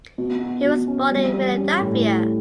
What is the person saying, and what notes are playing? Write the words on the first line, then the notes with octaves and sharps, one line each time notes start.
He was born in Philadelphia.
B2
F#4
B2
C#4
G3
G3
C#4
A2